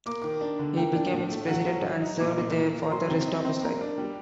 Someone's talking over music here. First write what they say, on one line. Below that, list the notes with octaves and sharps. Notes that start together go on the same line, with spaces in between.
He became its president and served there for the rest of his life.
A#3 D6
D#3 D6
D4
D3
A#3 G5
D4
A2
A3
F#3 F#5
F#3
F#3
D#4
A#2 D6
A#2
A#3
A#3
A#5
F#3 C6
C4
D#4
C4
A#3 A#5
D4
G3